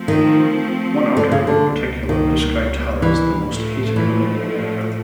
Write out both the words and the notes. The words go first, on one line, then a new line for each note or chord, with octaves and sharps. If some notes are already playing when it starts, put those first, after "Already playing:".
One article, in particular, described her as "the most hated woman in America".
Already playing: F3 A3 C4
D#3
D3
C#3
D3
C#2 B2 G3 A#3
D#3
E3
A2 F3 A3
E3